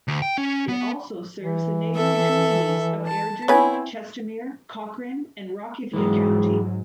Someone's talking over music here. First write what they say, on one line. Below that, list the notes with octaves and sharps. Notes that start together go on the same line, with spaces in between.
It also serves the neighboring communities of Airdrie, Chestermere, Cochrane and Rocky View County.
D2
G5
C#4
B3
E3
A4 E5
A5
B3 C4 E4 B4 C#5 G#5
G#2 E3 F#3 G#3